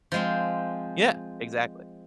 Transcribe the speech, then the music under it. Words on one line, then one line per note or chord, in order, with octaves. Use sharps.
Yeah. Exactly.
F3 G#3 C4